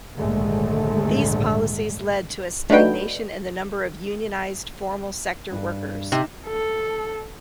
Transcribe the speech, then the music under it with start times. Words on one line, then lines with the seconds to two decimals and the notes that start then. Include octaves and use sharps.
These policies led to a stagnation in the number of unionised formal sector workers.
0.16 A#1 D#2 G#2 D3 G#3 A3
2.70 A3 D4 D#4 F#4 B4 G5
5.52 G2
6.12 C3 D#4
6.47 A4